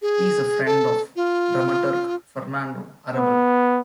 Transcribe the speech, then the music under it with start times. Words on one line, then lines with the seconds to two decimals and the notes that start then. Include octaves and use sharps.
He is a friend of dramaturg Fernando Arrabal.
0.02 G#4
0.65 A4
1.16 F4
3.16 B3